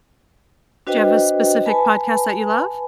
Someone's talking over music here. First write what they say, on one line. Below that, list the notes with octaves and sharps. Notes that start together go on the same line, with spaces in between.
Do you have a specific podcast that you love?
D4 F#4 B4 C5 D#5 G5
B4 G#5 A5 B5